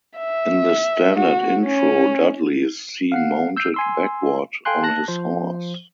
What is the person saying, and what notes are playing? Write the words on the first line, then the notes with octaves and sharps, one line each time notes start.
In the standard intro, Dudley is seen mounted backward on his horse.
E5
F#4
C#4
F5 F#5 C7
E6 G6 C7
G#5 C6 E6
A4 F5 G5 G#5 C6 F#6
A5 F#6 A#6
F3 C5